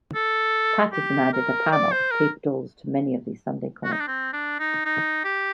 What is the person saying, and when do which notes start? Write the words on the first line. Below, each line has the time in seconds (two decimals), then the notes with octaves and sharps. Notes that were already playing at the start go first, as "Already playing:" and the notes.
Patterson added a panel of paper dolls to many of these Sunday comics.
0.15 A4
0.93 G4
1.33 A#4
1.72 D5
1.92 C5
2.11 A#4
3.84 F#4
3.93 D#4
4.00 D4
4.07 C4
4.33 D4
4.60 D#4
4.85 D#4
5.24 G4